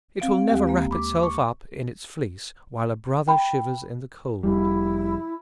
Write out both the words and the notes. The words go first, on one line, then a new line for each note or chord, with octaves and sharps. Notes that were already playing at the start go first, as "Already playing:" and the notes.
It will never wrap itself up in its fleece while a brother shivers in the cold.
C4 F5 D7
D#2 G#3 G4
G#3 A#3
B5 D6
C#6
G5 B5
F1 G3 E4